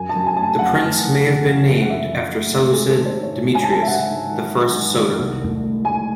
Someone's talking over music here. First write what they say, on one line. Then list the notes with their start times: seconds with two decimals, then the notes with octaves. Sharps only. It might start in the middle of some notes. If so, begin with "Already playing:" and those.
The prince may have been named after the Seleucid Demetrius the First Soter.
Already playing: F#2 G#5
0.09 A5
0.15 F#2
0.26 G#5
0.37 A3 A5
0.43 G#5
0.59 F#2 F#5
0.81 A3
1.03 F#2
1.24 E3
1.47 F#2
1.69 F#2
1.81 F#5
1.90 F#2 E5
2.12 F#2
2.34 A3
2.56 G#2 E5
2.73 G#2 G#4
2.89 A4
3.00 D#3
3.05 C5
3.22 G#2 C#5
3.44 G#2
3.55 G#5
3.63 F#3 A5
3.72 G#5
3.82 E5
3.87 G#2 F#5
4.10 G#2
4.32 D#3
4.53 F#3
4.75 G#2
4.97 D#3
5.19 C2
5.41 A3
5.63 A3
5.85 A3 G#5